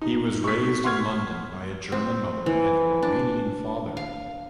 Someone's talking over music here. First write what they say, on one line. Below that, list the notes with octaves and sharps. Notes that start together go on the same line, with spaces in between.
He was raised in London by a German mother and a Romanian father.
D#4
C#6 B6
F#5 C6 C#6 F6 G#6
C4
E3
D4
F5